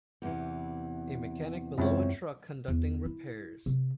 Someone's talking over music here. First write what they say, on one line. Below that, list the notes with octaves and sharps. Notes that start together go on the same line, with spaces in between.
A mechanic below a truck conducting repairs.
E2 C3 E3
C#2 F#2 C4 C#5
E2
E4
C3